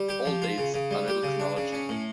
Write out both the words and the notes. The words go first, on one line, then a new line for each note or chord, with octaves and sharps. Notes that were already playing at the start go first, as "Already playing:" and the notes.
All dates are middle chronology.
Already playing: G3
G4
F3
F4
C#3
C#3
G3
G4
C#3
D4
C#3
C#4
A2